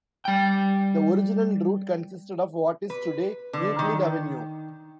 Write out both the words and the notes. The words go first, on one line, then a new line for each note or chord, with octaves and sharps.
The original route consisted of what is today Euclid Avenue.
G3 G5
B4
D3
D#3